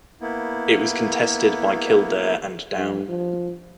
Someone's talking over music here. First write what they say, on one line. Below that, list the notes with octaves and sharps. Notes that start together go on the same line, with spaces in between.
It was contested by Kildare and Down.
A#3 B3 E4
G2
F3